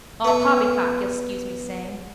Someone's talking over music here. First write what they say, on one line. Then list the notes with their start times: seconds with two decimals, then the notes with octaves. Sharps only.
All poppycock, you'll scuse me saying.
0.25 B3 E5